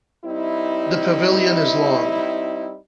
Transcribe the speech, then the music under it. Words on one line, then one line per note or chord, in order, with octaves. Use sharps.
The pavilion is long.
G3 C4 D#4 E4